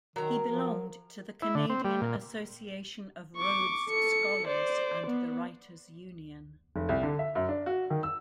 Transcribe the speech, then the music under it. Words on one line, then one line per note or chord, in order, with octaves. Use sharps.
He belonged to the Canadian Association of Rhodes Scholars and the Writers' Union.
D#3 F#3 A#4 A#5
F3
E4
D3
C4
G3
A#2
C#6 D6
A4 C#7
C5 D5
B3
F1
C2
D3
E5
F#2
D4
F#4
D#3
E6